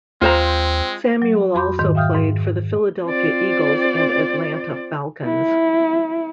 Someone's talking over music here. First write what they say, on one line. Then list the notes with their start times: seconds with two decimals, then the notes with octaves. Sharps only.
Samuel also played for the Philadelphia Eagles and Atlanta Falcons.
0.22 D#2 G#3 C4 F4 C5 A#5
1.22 F#3
1.55 F2 F#4 B5 C6 D6 G6
1.79 G#2 D#3
1.95 E5 F5 G5 D#6 F6 G6
2.15 G#2
3.05 C4 F4 C5 D5
5.24 E4